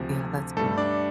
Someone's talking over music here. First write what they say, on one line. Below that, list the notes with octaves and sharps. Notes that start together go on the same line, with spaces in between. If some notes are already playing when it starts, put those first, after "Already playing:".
Yeah, that's good.
Already playing: D2 C3 F3
G2 G3 A3 A4
D4 D5